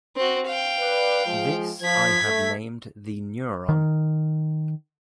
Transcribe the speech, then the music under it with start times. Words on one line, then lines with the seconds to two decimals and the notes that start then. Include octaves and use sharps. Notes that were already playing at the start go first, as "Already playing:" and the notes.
This I have named the neuron.
0.16 C4 F#4
0.46 F5 G5
0.80 B4 D5
1.26 F3 G#3
1.82 F3 G#6 B6
2.25 A3
3.69 D#3